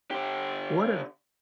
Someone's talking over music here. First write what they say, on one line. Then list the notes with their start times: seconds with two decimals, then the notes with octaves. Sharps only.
What a
0.11 D3 G4